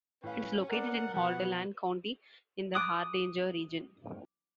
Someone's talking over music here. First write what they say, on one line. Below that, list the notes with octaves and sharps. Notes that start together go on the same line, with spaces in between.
It is located in Hordaland county in the Hardanger region.
A2 C#4 B4 F5
A#4 B4 D5 F#5
B2 F3 B3 F#5
D6 D#6 F#6